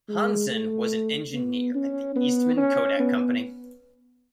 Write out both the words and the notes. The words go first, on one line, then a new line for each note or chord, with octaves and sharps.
Hansen was an engineer at the Eastman Kodak Company.
G#3
A3
B3
C#4
B3
C#4
B3